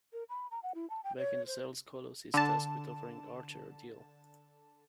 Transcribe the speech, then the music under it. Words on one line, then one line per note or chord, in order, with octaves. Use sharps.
Back in the cells, Kolos is tasked with offering Archer a deal.
A#4
B5
A#5
F#5
E4
A5
G5
C#5
C5
D3 A5